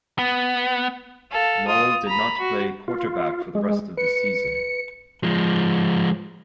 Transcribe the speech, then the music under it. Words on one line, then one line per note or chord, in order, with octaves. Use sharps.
Nall did not play quarterback for the rest of the season.
B3
A4 F5
F4 D#6
A#5 B5
F#4
F4
G#3
B4 C#7
F3 G#3